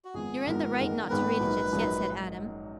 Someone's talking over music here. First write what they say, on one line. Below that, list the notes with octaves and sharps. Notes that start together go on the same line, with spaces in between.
"You're in the right not to read it just yet," said Adam.
F#4
G#1 G#2 F3 B3 G#4
G#1 G#2 F3 B3 A#4
G#1 G#2 D#3 G#3 B3
G#1 G#2 D#3 G#3 B3 B4
A#1 G#2 F#3 A#3 D#4
A#1 G#2 F#3 A#3 D#4